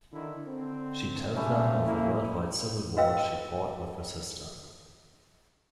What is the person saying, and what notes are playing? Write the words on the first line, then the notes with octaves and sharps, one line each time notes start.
She tells them of a worldwide civil war she fought with her sister.
D3 D#3 E4
D3 C4
G#2 C3 G3 A3 C#4
A#3 E4
F#4 B4 D#5 F5 G5 E6